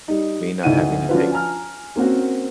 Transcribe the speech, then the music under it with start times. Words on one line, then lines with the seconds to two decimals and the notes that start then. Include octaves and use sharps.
Me not having to take
0.08 G3 D#4
0.63 G#1 D2 D#4 E4 F#5 D#7
1.09 F3 C#4 D4 F4 F#4 B4
1.32 G#5 A#5 F6
1.96 A#3 C4 C#4 F#4